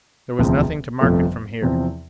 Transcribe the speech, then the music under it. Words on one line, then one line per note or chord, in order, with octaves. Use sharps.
There was nothing to mark it from here.
E1 D2 C3 F3
G1 F2 C3 F3 A3
E2 C3 F3 C4